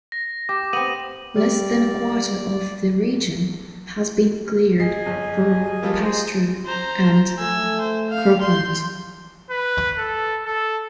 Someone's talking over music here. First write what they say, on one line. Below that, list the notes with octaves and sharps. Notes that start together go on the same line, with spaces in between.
Less than a quarter of the region has been cleared for pasture and cropland.
A#6
G4 D6
B3 C4 D#6 D#7 F#7
G3 D5
G#4 D#5 C7
G1
F3 G3 A#3
D#4 G#4 C5 D#5
C5 A#5
A3 G#5 E6
C5
F5
C6 G6
B4
A4
A4